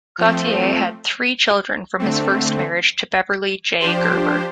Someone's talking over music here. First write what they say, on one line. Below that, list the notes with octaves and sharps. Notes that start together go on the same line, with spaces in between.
Gautier had three children from his first marriage to Beverly J. Gerber.
F3 A3 C4
D3 A3 C4
F3 D4 G4 C5